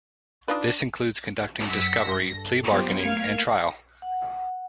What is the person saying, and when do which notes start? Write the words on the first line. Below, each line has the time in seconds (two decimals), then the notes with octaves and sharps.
This includes conducting discovery, plea bargaining, and trial.
0.48 D4 D#4 F4 B4
1.68 F#2 F#5 E6 A#6 B6 C#7
2.00 G2 A#6
2.36 A4
2.70 F#3 G3 B3 C4 F4 G4
2.99 A3 A#3 F5 F6 G#6
4.02 F#5